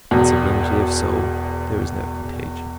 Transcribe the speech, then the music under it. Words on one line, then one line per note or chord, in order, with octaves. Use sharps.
In sublimity of soul there is no contagion.
E1 E2 B2